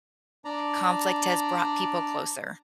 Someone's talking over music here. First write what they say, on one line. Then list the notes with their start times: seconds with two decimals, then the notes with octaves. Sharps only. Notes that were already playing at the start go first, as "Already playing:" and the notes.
conflict has brought people closer?
0.45 D4 D5 A#5